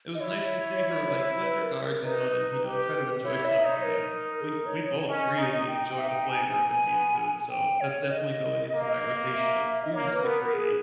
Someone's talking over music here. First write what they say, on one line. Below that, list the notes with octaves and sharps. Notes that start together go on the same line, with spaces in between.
it was nice to see her, like, let her guard down and, you know, try to enjoy something, and we we both really enjoy the flavor of Indian food, so that's definitely going into my rotation of foods to create.
D#5
E4 C#5
B4
A#4
A#4
D#4 B4
G4
E4 C#5
E5
D#4
C#5
A#4
G#4
A#4
C#5
C#5
C#5
C#4 D#5
D#4
D#4 G5
G5
E5
G5
G#5
G#5
G#5
B3
G5
C#5
C#5
D#5
A#3
E5
D#5
A#3 C#5
B4
B3 A#4
A#4
G#4